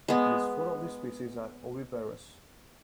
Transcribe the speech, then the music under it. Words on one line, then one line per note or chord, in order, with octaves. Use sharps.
At least four of the species are oviparous.
G#3 B3